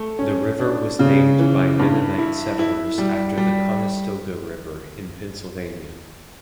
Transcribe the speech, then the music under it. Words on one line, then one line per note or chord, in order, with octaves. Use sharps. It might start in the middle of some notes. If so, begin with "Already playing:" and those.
The river was named by Mennonite settlers after the Conestoga River in Pennsylvania.
Already playing: A3
C#4
D4
C#3
E3
G2
E4
E4
G3
G3